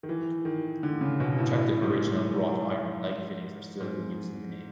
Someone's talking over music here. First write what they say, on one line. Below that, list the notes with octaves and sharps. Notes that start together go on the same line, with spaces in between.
Attractive original wrought iron light fittings are still in use in the nave.
D#3
E3
D#3
D3
C#3
B2
A2
A2
G#2
G#2
G#2